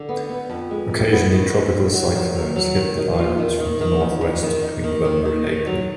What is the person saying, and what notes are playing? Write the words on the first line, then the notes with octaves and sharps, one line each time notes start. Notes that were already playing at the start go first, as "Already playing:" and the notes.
Occasionally tropical cyclones hit the islands from the northwest between November and April.
Already playing: D3
B3
B3
F2
G#3
F2
B3
D#3
D4
D#3
F#3
D#3
F#3
F#3
D#3
D#3
F4
D#3
D#3
D#3
F2
F2
D#3
D#4
D#3
D#3
D#3
D#3
F#3